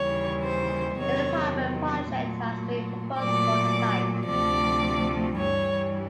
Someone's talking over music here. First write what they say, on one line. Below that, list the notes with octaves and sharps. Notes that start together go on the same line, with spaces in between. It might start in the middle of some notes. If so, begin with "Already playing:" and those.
An apartment project has been proposed for the site.
Already playing: D#2 C#3 E3 G3 C#5
C5
E2 C3 D#3 F#3 C#5
A#2 F#3 A3
A#2 F#3 A3 D5
D2 C3 F3 A3 D5
G2 E3 G3 C#5